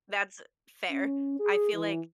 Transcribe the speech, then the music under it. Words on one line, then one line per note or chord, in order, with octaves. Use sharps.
That's fair. I feel like
C#4
G#4
E3